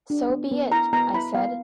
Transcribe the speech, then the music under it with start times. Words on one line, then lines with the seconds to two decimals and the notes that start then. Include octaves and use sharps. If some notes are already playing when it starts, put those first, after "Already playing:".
"So be it," I said.
0.10 D4
0.30 B3
0.51 B3
0.72 E4 A#5
0.93 B3 A#5
1.14 E4 B5
1.35 B3 F5